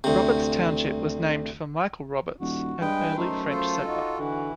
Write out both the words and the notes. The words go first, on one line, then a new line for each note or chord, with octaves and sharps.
Roberts Township was named for Michel Roberts, an early French settler.
D2 C3
D#1 F#4
G2 G#3 G#4 B4 G5
F#2 A3 D#4 C5
F4 A4 C5
D#4 F#4
D3 E3